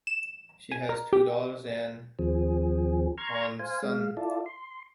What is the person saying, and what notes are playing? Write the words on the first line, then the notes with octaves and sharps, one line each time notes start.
She has two daughters and on son.
E7
G#5
A#4
G4
D#2 F3 C4 G#4
A#5 C6 C#6 F6 G#6
C5 F5 G#5
G#3 F5
E4 F4 A4 D5
C6